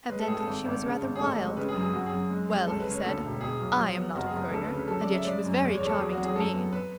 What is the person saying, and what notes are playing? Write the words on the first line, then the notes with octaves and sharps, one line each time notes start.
Evidently she was rather wild. "Well," he said, "I am not a courier, and yet she was very charming to me."
G#3 B4
A4
A2 G#4
A4
G#1
G#1
C#3
G#1
G#4
A1 A4
G#3
C#3 B4
G#4
F#2
G#4
F#2 F#4
G#4
F#2
G#3
G#3
C#2 A4
B4
C#3
C#5
D2 A4
E1
B2 G#4
B1
F#3
B3
F#1 F#4
G#4
F#1
D2 A4
B4
C#3
B4
F#3 A4
D5
C#3
E5
G#3 D5
F#2
E2 D5
C#5
E2
A4
F#3 G#4
F#4
F#3
G#4
F#2 A4
B3
B4